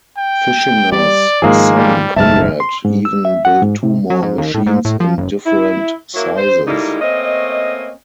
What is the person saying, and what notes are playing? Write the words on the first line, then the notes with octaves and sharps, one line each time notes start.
Fischinger's son Conrad even built two more machines in different sizes.
G5
G3 D5
G#2 D#3 F3 G#3 A#3 G#4
G3
F#1 B1 G#2 E5 A5 F6
C6
G#2
E6
E5
F#5
G#2
C3
F#3
G#2
D#2
A2
G#2
A2
F3
F#1
E4
F#3 A#3 E4
C5
D3 G3 G#3 A#3 D#4 E4
A3 A#3 C4 C#4 D#5